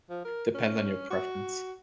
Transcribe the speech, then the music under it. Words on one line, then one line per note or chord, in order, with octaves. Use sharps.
depends on your preference.
F3
A#4
C#4
F#4